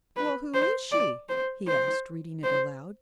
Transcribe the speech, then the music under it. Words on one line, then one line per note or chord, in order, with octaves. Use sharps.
"Well, who is she?" he asked, reading it aloud.
B4
C5
D5
C5
C5
C5